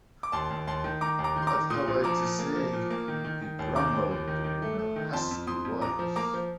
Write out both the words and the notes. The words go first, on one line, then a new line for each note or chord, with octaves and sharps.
"What have I to say?" he grumbled in a husky voice.
D6
D#2 A5 C6
D#2
D#2 A5 C6
D#3
D#3 A#5 D6
D#2
A#5 D6
D#3
C6
A#5 D6
D#3
A#2 C6 D#6
A#1
F3 A#5 D6
A#2
A#3
F3
A#2
A#3
D#3
D#3
D#3
D#2
D#3 A#5 D6
D#2
D#2
D#3
D#3
A3
A3
D#3
F2 A5 C6
F2
F2 C6 D#6
F2
A#1 A#5 D6
F3
A#3 A#5 D6
F3